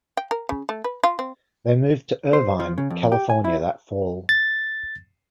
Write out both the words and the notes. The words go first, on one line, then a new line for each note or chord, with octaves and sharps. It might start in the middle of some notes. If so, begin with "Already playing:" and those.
They moved to Irvine, California that fall.
G5
A#4
C#3
A3
B4
F4
C4
C5
F3
C#3
F2
G4
G#5
E4
A6